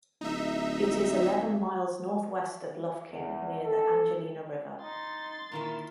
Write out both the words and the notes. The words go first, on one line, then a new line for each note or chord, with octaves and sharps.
It is eleven miles northwest of Lufkin near the Angelina River.
D1 D#4 E5
E2
A4
D#4 C6 A6
A#2 D#3 E4 A#4